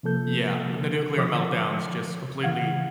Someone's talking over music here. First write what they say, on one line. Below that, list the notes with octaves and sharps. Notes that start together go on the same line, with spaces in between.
Yeah, when the nuclear meltdowns just completely
C3 F3 A#3 A4 G6
D3 F3 C#5 D6 D#6
C#3 E3 F5 F#5 G#6